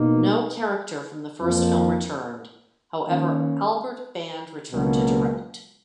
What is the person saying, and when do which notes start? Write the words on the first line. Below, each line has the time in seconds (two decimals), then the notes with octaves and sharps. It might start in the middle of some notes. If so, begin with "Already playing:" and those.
No character from the first film returned, however Albert Band returned to direct.
Already playing: B2 A#3 D#4
1.39 F2 F3 A#3
3.05 D#3 A#3 C#4
4.71 C#2 B2 F#3 A#3